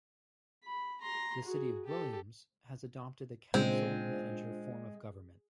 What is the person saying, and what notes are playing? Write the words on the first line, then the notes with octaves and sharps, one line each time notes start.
The City of Williams has adopted the Council-Manager form of government.
B5
A#5 C6
F#4 G#4
G4 A4
A#2 C#3 G#3 C4 D4 F4 C5